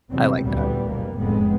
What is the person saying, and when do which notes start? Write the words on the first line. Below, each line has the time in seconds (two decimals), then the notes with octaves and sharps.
I like that.
0.11 E2 C3 F#3 G3 C4
0.43 D2 A#2 E3 G3 B3
0.87 F#1 B2 G3 A#3 B3
1.17 F1 F2 A2 G#3 B3 C4